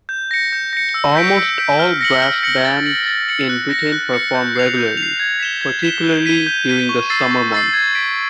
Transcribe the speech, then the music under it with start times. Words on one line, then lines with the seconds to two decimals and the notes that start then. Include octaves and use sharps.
Almost all brass bands in Britain perform regularly, particularly during the summer months.
0.09 G6
0.31 A#6 C#7
0.52 G6
0.73 A#6 C#7
0.94 E6
1.15 G6 B6 D7
1.37 E6
1.58 G6 B6 D7
1.79 F6
2.01 A#6 C#7 F#7
2.22 F6
2.43 A#6 C#7 F#7
2.65 A6
2.86 C#7 F#7
3.06 A6
3.29 C#7 F#7
3.49 F#6
3.70 A#6 C#7
3.92 F#6
4.13 A#6 C#7
4.35 G6
4.55 C7 F7
4.77 G6
4.97 F7
5.02 C7
5.20 G#6
5.40 B6 E7 G7
5.61 G#6
5.82 B6 E7 G7
6.04 G6
6.26 B6 D#7 G7
6.47 G6
6.68 B6 D#7 G7
6.89 C#6
7.10 E6 A6 C7
7.31 C#6
7.52 E6 A6 C7
7.73 G#6
7.95 B6 D7